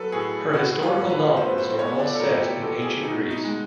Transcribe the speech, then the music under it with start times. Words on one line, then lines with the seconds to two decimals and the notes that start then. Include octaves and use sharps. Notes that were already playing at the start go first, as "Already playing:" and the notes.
Her historical novels are all set in ancient Greece.
Already playing: F#3 A4 B4
0.12 A2 G#4
0.53 A2 F#4
0.82 F4
0.96 A2
1.09 B4
1.37 B3 C5
1.58 C5
1.79 B3 C#5
1.99 D5
2.14 A4
2.20 A2 A#4
2.41 G4
2.62 A2 A4
2.82 G#4
3.03 B2 D#4
3.31 D#4
3.45 G#3